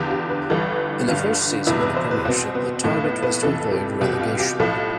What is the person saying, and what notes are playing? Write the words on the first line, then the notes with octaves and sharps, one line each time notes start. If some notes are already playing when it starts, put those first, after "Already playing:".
In their first season in the Premiership the target was to avoid relegation.
Already playing: E2 D3 F3 G4
G4
B4
G1 G2 E3 A4
G1 G2 D3 F4
F1 E2 B2 E4
B4
C5
B4
C2 B2 C4
B3
B1 A2 F3 A3
B3
B3
F1 F2 E3 A4
G4
C2 B2 G4
F4
G4
B1 A2 F3 A4